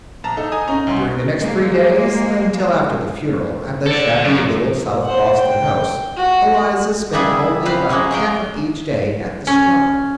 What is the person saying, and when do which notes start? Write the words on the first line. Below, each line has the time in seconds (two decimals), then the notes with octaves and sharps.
During the next three days, until after the funeral at the shabby little South Boston house, Eliza spent only about half of each day at the Strata.
0.24 A#1 A5 A#5
0.37 D#4 A4
0.52 G#5 A#5 D#6
0.68 C#4 D#4 A#5
0.87 C2 C6
1.37 G#3 A#3
3.86 A4 D5
4.24 F#2
5.03 C5 F#5
5.38 G5
6.16 F#4
7.13 C#3 G3 B3 E4 G#4
7.65 C4 B4 F5
7.89 F#3 G#3 A#3 C#4
8.11 G#3 A#4 G5
9.47 C#4